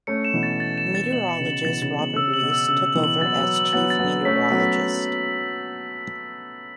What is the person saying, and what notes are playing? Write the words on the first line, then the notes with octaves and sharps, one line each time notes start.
Meteorologist Robert Reese took over as Chief Meteorologist.
A3 C#4 C#7
E7
B2 E3
A6
A6
E7
A6
B2 F#7
C#7
C#3
F#7
B2 E3 A6
C#3 A6
B2 F#7
C#3 E6
F#7
B2
E6
C#3 E6
F#7
B2 E3
F#7
F#3 B3 A6
F#3 B3 F#7
F#7
F#3 B3 A6
A6
F#3 B3
A6
A3 C#4 B6
B6
F#3 B3
B6